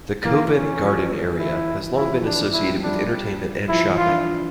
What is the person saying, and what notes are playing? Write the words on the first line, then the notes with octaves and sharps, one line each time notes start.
The Covent Garden area has long been associated with entertainment and shopping.
E3 A#3
C#4
F3
E3 E4
F3 E4
E3
F3 D4
F3 E4
G3
F3
G3
F3 D4
G3
F3 E4
E3
F4
D4